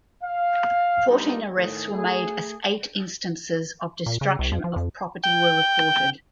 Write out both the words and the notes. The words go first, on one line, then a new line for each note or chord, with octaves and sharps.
Fourteen arrests were made as eight instances of destruction of property were reported.
F5
G#2 G3 A#3 D4 D#4 F4
A2 D#3 A3 G#4
A3 G#4
A#2
C#3
C2
F2
F3
F2
G5